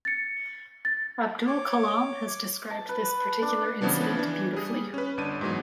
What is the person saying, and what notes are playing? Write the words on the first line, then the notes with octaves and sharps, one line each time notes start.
Abdul Kalam has described this particular incident beautifully.
A6 C#7
A6
C#5 D6
A5
B4
D4
C#3 E3 F3 B3 D4
E3 D4
G3 G#4
C#4 B4
G1 D4 D#7
G#2 E3 F#3 G#3 B3